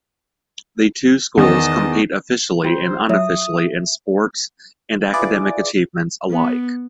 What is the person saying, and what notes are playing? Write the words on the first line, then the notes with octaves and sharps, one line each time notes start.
The two schools compete officially and unofficially in sports and academic achievements alike.
E2 D#3 D#5 A5
F4 C5 G5
F#3 E5 D#6
E4 F4 G#4 B4 D5 D6
B3